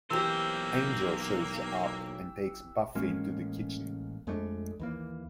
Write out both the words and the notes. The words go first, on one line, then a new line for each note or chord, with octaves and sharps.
Angel shows up and takes Buffy into the kitchen.
B1 E3 A#3 G4 C5 E6
A1 G#3 A#3 C#4
F2 G#3 A3 D4
D#2 E3 A#3